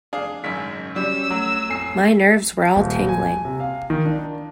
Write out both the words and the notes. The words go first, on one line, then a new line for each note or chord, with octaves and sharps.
My nerves were all tingling.
F2 D4 G#4 F5
G#1 F#2 C#3 B6
F#3 G3 C#4 E6
F#3 A3
F2 A2 G#5 C7
D#1
G#5
C3
F5
D#3
D4